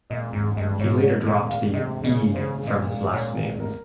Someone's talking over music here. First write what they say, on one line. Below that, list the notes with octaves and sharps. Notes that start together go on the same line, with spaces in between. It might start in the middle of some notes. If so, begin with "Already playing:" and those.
He later dropped the "E" from his last name.
A#2 D#5
G#2
G2 D#5
G#2 C#5
C#5
A#2 D#5
F5
C3 D#5
C#3 D#5
C#3 C5
A#2 D#5
A#2 C#5
A#4